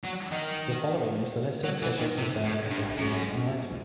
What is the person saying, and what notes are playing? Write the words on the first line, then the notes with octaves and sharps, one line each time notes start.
The following is the list of officials to serve as referees and linesmen.
F#3
D#3
F#3
E3
D#3
C3
A2
G2
F#2